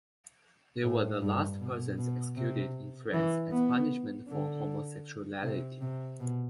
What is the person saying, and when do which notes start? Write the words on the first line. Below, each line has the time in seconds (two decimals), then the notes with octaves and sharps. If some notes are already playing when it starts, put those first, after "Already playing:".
They were the last persons executed in France as punishment for homosexuality.
0.83 A2
1.21 G2
1.60 B2
1.98 B2
2.36 C3
3.13 E3
3.51 B3
4.28 D3
5.43 C3
5.81 C3
6.20 B2